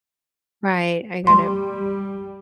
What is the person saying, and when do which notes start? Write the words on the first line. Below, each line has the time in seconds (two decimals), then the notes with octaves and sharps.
Right, I get it.
1.27 G3 C6